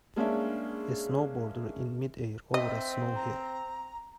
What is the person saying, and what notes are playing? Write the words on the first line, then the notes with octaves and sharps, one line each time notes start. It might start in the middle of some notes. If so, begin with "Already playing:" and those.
A snowboarder in midair over a snow hill.
G#3 A#3 C#4 D4 E5
C4 D#5 E5
A#5